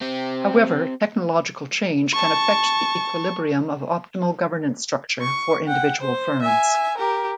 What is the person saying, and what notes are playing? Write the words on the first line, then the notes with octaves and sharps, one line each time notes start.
However, technological change can affect the equilibrium of optimal governance structure for individual firms.
C4 G4
A5 C#6
C#6
F#5 G5
C5
E5 G#5
G4 A#4